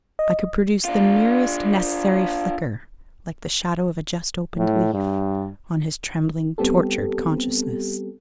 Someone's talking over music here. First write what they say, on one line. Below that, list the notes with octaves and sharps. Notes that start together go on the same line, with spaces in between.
I could produce the merest necessary flicker, like the shadow of a just-opened leaf, on his trembling, tortured consciousness.
D#5
D4 F4
A2
G2
G3 B3 C4 G4 A4